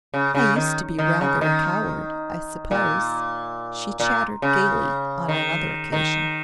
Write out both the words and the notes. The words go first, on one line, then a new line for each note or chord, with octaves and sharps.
"I used to be rather a coward, I suppose," she chattered gaily on another occasion.
C#3
C#3
D#3
D#3
C#3
D#3
A#2
A#2
C#3
D#3
D#3